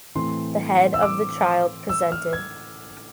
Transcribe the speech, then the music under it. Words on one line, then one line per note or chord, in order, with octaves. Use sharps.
The head of the child presented.
A2 E3 A3 C4 C6
E6
D6
E6
F6
G#6